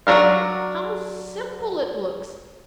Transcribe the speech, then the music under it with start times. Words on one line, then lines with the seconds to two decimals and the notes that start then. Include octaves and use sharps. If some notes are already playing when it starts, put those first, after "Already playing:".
How simple it looks!
0.07 F#3 D4 A#4 F5